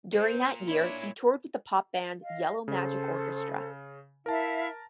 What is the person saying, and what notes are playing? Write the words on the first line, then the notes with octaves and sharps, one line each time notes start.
During that year, he toured with the pop band Yellow Magic Orchestra.
A#2 C5
D4 E4 C#5
D#5 F5
C#3 A4 C5
E4 A#4 E5 F5 A5